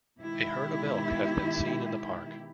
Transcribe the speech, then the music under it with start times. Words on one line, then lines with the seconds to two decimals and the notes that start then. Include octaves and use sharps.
A herd of elk have been seen in the park.
0.21 B2 D#3 G#3 E4 G4